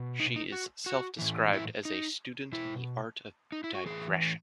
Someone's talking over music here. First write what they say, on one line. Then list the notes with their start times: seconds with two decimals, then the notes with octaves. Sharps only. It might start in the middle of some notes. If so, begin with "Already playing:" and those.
She is self-described as a "student in the art of digression".
Already playing: B2
0.20 D#4
0.36 D#4
0.52 F#4
0.86 F#4
1.19 A2 E3
1.53 E4
1.85 D#4
2.52 B2 E4
3.52 D#4
3.64 E4
3.75 F#4
3.86 A2 E3 G#4